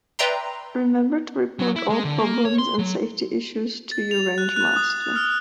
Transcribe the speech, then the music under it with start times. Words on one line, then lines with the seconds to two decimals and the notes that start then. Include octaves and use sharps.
Remember to report all problems and safety issues to you range master.
0.19 B4 D5 E5 G5 A#5 C6
1.59 F#3
1.76 E4
1.90 G#3
2.04 D3
2.19 A#3
2.45 C#5
2.59 C6
2.79 F#3
3.92 A6
4.11 F7
4.38 F#6
4.56 F#6
4.76 D#6
5.16 F6